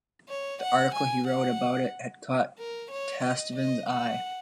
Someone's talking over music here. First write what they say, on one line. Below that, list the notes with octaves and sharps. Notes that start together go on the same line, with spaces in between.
The article he wrote about it had caught Tastevin's eye.
C#5
F#5
G#5
F#5
A#4
C#5
D#5
D#5
F#5